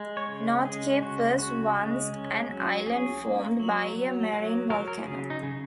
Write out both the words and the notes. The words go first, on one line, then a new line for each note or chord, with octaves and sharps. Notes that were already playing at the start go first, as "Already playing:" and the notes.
North Cape was once an island formed by a marine volcano.
Already playing: G#3
C#5
C#3
G#3 G#4
C#3 F#4
C#3 F#4
G#3
C#4
F#3
C#4 G#4
A#3
F#3
F#3
F#3 A#4
F#3 A#4
A#4
C#3 G#4
D#4
C#3